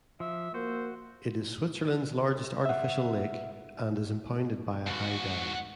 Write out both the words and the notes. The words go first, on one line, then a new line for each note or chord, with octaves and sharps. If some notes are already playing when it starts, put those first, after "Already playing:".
It is Switzerland's largest artificial lake, and is impounded by a high dam.
F3 E5
A#3 F#4 C5
E5 F#5
G#2 F#4